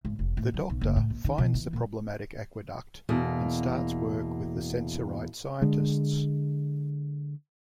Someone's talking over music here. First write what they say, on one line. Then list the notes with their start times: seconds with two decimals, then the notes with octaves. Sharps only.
The Doctor finds the problematic aqueduct and starts work with the Sensorite scientists.
0.05 G#1
0.19 F1
0.37 A2
0.54 F#3
0.70 B1
0.81 F#1
0.96 A2
1.10 A#1
1.24 D#3
1.38 B2
1.54 E3
1.73 A#2
3.09 E2 B2 A#3
5.62 D3 G#3